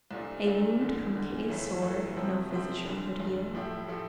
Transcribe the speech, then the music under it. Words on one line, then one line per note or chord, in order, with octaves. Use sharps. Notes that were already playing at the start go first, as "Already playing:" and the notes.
A wound from Kay's sword no physician could heal.
C2 A#2 A3 D4 F4
C2 A#2 A3 D4 F4
F1 E2 D3
F1 E2 D3
G1 F2 E3 A3
G1 F2 E3 A3
F2 C3 F3 C4 G4
F2 C3 F3 C4 G4
F1 F2 D3
F1 F2 D3
A2 F3 A3 E4 G4
A2 F3 A3 E4 G4